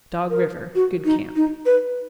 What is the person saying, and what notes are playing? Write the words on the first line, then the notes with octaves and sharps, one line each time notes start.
Dog River.--Good camp.
A#4
F#4
D#4
D#4
B4